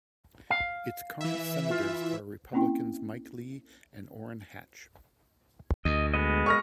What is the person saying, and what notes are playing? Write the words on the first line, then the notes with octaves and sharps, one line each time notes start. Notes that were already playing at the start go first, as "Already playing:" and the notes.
Its current senators are Republicans Mike Lee and Orrin Hatch.
F5
E3 E5
F4
A#3 C4 C#4 E4 G5 C6
D2 D#5
G#3 B3 D#5
C#6 F6 A#6